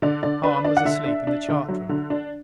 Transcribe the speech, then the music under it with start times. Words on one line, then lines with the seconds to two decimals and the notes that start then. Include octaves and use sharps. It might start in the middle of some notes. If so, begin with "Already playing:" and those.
Hahn was asleep in the chart room.
0.02 D3 D5
0.23 D3 D5
0.43 D4 B4
0.64 D4 D5
0.77 F#5
0.85 D3 E5
1.06 D4
1.27 D4
1.48 D3
1.68 F#3
1.89 D3
2.10 D4